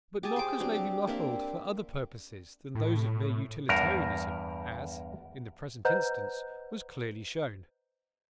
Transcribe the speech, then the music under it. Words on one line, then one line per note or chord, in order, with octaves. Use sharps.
But knockers may be muffled for other purposes than those of mere utilitarianism, as, in the present instance, was clearly shown.
G4 G#4 G#5 A5
C5 D6
F#3 C4 D4
G4
A#3 C4 D4 E5
A2
E2 G2 A#4
B4 C5 D#5 F#5 A#5 G6